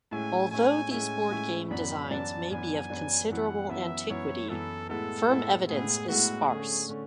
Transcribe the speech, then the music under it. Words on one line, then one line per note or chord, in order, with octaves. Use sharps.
Although these board game designs may be of considerable antiquity, firm evidence is sparse.
A2 G#3 C#4 E4 G#5
A2 G#3 C#4 E4 G#5
A2 G#3 C#4 E4 G#5
A2 G#3 C#4 E4
F#2 E3 B3 D4 B5
F#2 E3 B3 D4 A5
F#2 E3 B3 D4 G#5
F#2 E3 B3 D4
F#2 E3 B3 E4 F#5
F#2 E3 B3 E4 E5
F#2 E3 B3 E4 C#5
F#2 E3 B3 E4 A4
A2 G#3 B3 E4 A4
A2 G#3 B3 E4
A2 G#3 B3 E4 G#4
A2 G#3 B3 E4 F#4
D3 A3 C#4 G#4
D3 A3 C#4